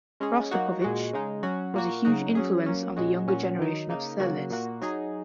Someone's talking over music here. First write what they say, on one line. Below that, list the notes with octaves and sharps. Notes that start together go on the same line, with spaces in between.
Rostropovich was a huge influence on the younger generation of cellists.
G#3 C#4 G#4
F#3 A#3 D#4 F#4
A#2 G#3 F#4
C#3 G#3 D#4
F#3 C#4 F#4
A#2 A#3 F#4
C#3 F#3 D#4 F#4
F#3 C#4 G#4
F#3 A#3 C#4
A#2 G#3 C#4 F#4
A#2 F#3 C#4 F#4
D#3 F#3 D#4
C#3 A#3 D#4
C#3 F#3 A#3 F#4
A#2 A#3 F#4
F#3 D#4 G#4